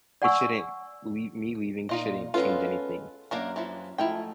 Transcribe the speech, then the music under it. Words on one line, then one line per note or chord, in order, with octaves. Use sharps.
it shouldn't leave me leaving shouldn't change anything.
D5 F#5 G#5 C#6 E6
A#2 D#4 F4 D#5
G#3 B3 C#4 F4 A4 B4
F#2 A#3 D4 A#4 A#5
E3 F3
G#2 F3 A3 E4 A#4 G5